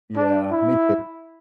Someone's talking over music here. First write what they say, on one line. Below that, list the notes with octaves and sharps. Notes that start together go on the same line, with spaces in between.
Yeah, me too.
D4
E4